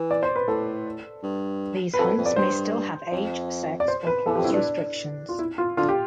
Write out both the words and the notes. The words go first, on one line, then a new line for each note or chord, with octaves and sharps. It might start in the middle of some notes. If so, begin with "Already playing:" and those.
These hunts may still have age, sex or class restrictions.
Already playing: E3
D5
C5
B4
A2 A4
G2
B4
F2 A4
F2
D5
G2 C5
F2
D5
C5
B4
E2 A4
G4
F2
E4
G2 D4
F4
E4
F4
D3 F4
G4